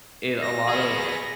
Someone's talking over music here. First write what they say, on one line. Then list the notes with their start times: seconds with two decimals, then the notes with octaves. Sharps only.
it a lot of
0.42 A#6
0.69 B3 G#4